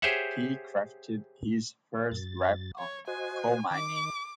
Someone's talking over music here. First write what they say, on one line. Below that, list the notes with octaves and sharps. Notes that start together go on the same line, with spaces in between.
He crafted his first rap on "Call My Name".
G4 G#4 C5 C#5 E5 F#5
F#2 A6
C#5
F#4 C5 D#5 G#5
D#3 D6